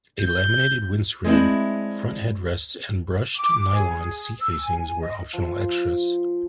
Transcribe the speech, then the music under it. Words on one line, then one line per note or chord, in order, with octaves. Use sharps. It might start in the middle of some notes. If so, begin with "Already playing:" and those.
A laminated windscreen, front head rests and brushed nylon seat facings were optional extras.
G6
G#3 C4 D4 E4
D6
G#4
E6
G#5
D#5
F3